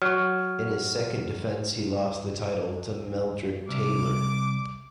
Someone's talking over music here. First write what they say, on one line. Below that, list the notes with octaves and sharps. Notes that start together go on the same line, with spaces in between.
In his second defense, he lost the title to Meldrick Taylor.
F#3 C#6 F6
C2 D6